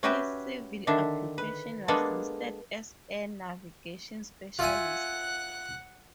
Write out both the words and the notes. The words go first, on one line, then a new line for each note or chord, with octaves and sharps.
His civil occupation was listed as Air Navigation Specialist.
C#4 F#4 G4 B4 E5 G5
D3 D#3 D4 E5
B4
G#3 A#3 B3 D4 A4
F4 E5 F#5 G#5 F#6